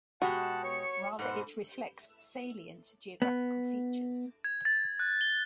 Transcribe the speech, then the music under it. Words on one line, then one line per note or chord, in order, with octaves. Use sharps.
Rather, it reflects salient geographical features.
B2 G#3 F#4 G4 F#5 A5
C#5 C#6
G#2 B2 C5 F#5
B3
G#6
A6
F#6
G7